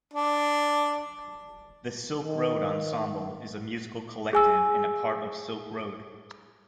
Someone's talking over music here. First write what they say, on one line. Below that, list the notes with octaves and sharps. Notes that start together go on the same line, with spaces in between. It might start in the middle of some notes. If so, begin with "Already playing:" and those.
The Silk Road Ensemble is a musical collective and a part of Silkroad.
D4
D#3
G#4 G#5 E6